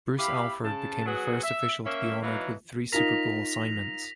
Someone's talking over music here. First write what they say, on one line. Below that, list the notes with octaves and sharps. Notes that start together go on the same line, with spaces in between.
Bruce Alford became the first official to be honored with three Super Bowl assignments.
E4 G4 F5 B5
C#3 A5
F#3 B3 F#4 G#4
E5
A#3 C#4 E5
B2 E3 F#3 D#4 F5
D#4 F4 A#4 A#6 B6 F7